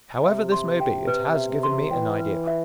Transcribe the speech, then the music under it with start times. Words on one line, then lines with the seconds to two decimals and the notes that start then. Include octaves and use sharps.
However this may be, it has given me an idea.
0.23 C3 E5
0.52 C6
0.80 G5
1.07 B4
1.35 E5
1.63 C6
1.91 E3 G5
2.19 B4
2.47 E5